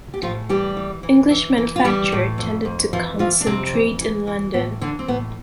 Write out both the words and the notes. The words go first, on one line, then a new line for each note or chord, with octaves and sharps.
English manufacture tended to concentrate in London.
G4
A2 F3 F4
E3 G3 G4
E3
E3
E3
E3
F4
E3 G3 G4
A2
F2
F2
E3 F3 F4
E3 F3 F4
D4
F2 C3 C4
E3
E3
E3
A2 B3
D3 E3 D4
C4
A2 B3